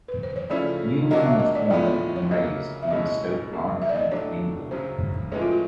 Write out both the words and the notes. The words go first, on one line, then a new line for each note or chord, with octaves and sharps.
Whelan was born and raised in Stoke-on-Trent, England.
B4
C5
C#5
C#3 F3 A3 C#4 E4 D5
D#3 F#3 A#3 D4 F#4 D#5
E5
D#5
D5
A2 F3 G#3 B3 D5
C#5
C#5
C#3 F#3 A#3 D#5
E5
B2 G#3 C#4 E4 D#5
D#5
C#3 F#3 A#3 D#4
E5
D5
D#5
A2 F#3 A3 D4 C#5
F#2 C#3 F#3 C5
A2 F3 G#3 C#4 B4
F4
F#4